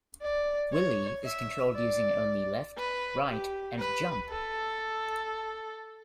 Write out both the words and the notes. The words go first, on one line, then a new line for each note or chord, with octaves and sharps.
Willy is controlled using only left, right and jump.
D5
C#5
E5
D5
B4
G4
B4
A4